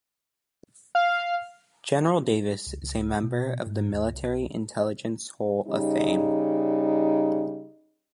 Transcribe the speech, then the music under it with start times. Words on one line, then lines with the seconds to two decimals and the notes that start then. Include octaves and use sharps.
General Davis is a member of the Military Intelligence Hall of Fame.
0.95 F5
2.67 C#2
2.82 C#2
3.23 B2
3.66 G#2
3.93 D#2
4.13 C2
5.68 C#3 G3 D#4